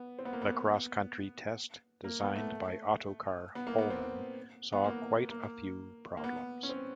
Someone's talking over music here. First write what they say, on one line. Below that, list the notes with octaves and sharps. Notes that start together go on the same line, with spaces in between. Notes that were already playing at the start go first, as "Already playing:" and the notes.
The cross-country test, designed by Ottokar Pohlmann, saw quite a few problems.
Already playing: B3
C4
B3
A#3
B3
A#3
B3
A3
B3
A#3
B3
C4
B3
A#3
A#3
A#3
B3
C#4
C4